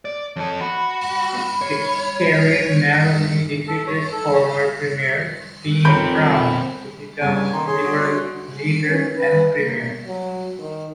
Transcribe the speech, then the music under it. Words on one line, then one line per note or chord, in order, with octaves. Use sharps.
Kerin narrowly defeated former premier Dean Brown to become Liberal leader and premier.
D5
F2 A4 C#5
F#4 B5
C#5
A4
C#5
A4
C#5
F2 F3 C4 A#4 C#5 B5 G6 D7
C2 G2 C#3 C#5 G#5 A5
D#3 A#3 D#4 C6
G#4 C#5 C6
F#4 D#6 D7
C#4
B4
A#3
F#3
D#3